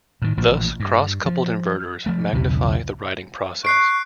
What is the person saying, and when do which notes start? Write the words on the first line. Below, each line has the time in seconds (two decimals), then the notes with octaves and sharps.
Thus, cross-coupled inverters magnify the writing process.
0.22 A2 D#3
0.37 A1 A#2 F3
0.80 G2
1.26 F3
2.06 F3 A3
2.33 B1 E2 C#3 E3
3.64 C#6 F#6 C7 D7